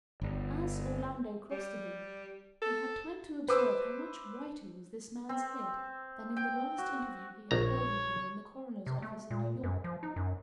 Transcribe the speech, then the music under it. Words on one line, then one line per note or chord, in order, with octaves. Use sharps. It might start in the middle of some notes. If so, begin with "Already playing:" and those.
As Orlando crossed to him, he had time to observe how much whiter was this man's head than in the last interview he had held with him in the coroner's office in New York.
G1
G3
A4
B4 C5 D6 E6
C4
G5
F#4
A#1 C#5 A#5
C3
A3
A#2
F#2
F3
D#4
F#2